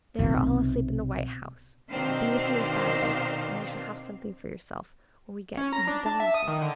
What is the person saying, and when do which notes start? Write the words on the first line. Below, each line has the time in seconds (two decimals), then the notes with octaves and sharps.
They are all asleep in the "White House." I'll be with you in five minutes, and you shall have something for yourself when we get into Dollington.'
0.19 B1 C3
1.90 B2 D#3 C4 D4 C5 F5
5.57 C#4
5.73 A#5
5.87 D4
6.06 A5
6.20 E5
6.34 D#6
6.48 D#3
6.61 D3